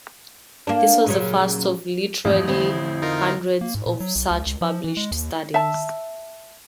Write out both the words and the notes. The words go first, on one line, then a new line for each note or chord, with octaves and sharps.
This was the first of literally hundreds of such published studies.
A#3 D4
A#2 C#3 F#3
A1 F2 G#2
D3 C4 E4
D#4 F4 A#4
A#3
G#2
A#2
F#3
B1
C#2
C#2
F3
E3
G#3
D#2
E5 A5